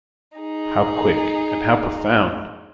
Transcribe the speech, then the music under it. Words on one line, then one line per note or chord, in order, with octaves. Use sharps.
How quick, and how profound!
D#4 G#4